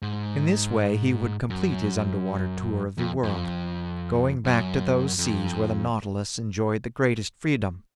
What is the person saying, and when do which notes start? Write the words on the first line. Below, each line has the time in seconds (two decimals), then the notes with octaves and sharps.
In this way he would complete his underwater tour of the world, going back to those seas where the Nautilus enjoyed the greatest freedom.
0.02 G#2
1.50 F#2
2.98 F2
3.23 F2
4.45 F#2
5.18 F2